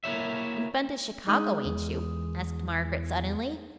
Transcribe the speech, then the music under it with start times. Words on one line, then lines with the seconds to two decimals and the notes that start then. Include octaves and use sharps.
"You've been to Chicago, ain't you?" asked Margaret suddenly.
0.04 A#3 E4 C#5 E5
1.27 G#3 D#4 D#6
1.65 E2